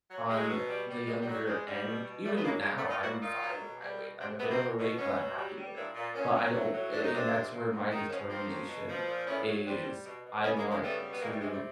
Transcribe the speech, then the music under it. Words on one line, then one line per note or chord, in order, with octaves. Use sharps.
on the younger end even now, I'm fine with my weight. I'm a bit overweight, but I'm happy with it. But I don't a and that's where my determination is. I want to
F#3
F#3 G#3
B2
G3
G3
F#3 G#3
G3
F#3
G3
G3 G#3
G3
B2
B2
A#2 G3 A3
B3
F#3 G#3 A#3
A#2 G#3 A#3
A3 B3
A#2
D#4 F4
A#2 E4 F#4
A#2 D#4 F4
F#3
B2
G3
B2
C3 C4 D4
C3 A3 B3
A#3 C4
B2
B2
B2 B3 C#4
F#3
G3
G3
A#2 D4 E4
A#2
A#2 B3 C#4
F#3
A2
F#3
C3 D4
D#4
C3 C4 D4
A#2
A#2
C3
D#3
F3 B3 C#4
F3 A#3 C4
F#3
B2
F3
A#2
A2 B3 C#4
F#3
G3 C4 D4
G3
B2
B2
C#3 B3 C#4
G#3 A#3
C#3
G#3 A#3
G3 A3 B3
B2
B3
G3 G#3 A#3
G3 A3
C3 G#3
G3 A3